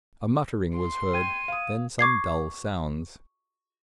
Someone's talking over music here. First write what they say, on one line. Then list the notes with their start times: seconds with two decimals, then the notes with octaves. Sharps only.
A muttering was heard; then some dull sounds.
0.77 C6
1.14 G5 G#6 D#7
1.48 F5 D#6
1.99 C#6 D6 G#6 C7